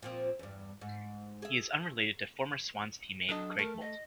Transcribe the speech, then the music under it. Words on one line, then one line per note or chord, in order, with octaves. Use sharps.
He is unrelated to former Swans teammate Craig Bolton.
A#2 F3 C4
E2 G2
G#2
G#4 E5
F#3 D4 A4 D#5
A3 A#4
D#5